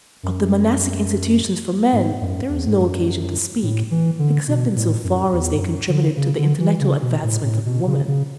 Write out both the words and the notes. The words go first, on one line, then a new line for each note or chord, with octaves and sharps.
Of the monastic institutions for men there is no occasion to speak, except in so far as they contributed to the intellectual advancement of woman.
F#2
G#2
F#2
E2
G#2
F#2
A2
E3
D3
B2
A2
F#2
E2
G#2
F#2
D3
C#3
D3
E3
C#3
B2
A2
A2
B2
C#3
C#3